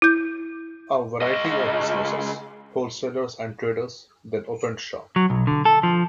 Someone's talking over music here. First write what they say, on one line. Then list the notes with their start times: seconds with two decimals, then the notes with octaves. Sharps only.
A variety of businesses: wholesalers and traders, then opened shop.
0.02 E4 G6
1.22 C#2 D#5
5.16 F#3
5.30 B1
5.47 D3
5.65 A4
5.83 F3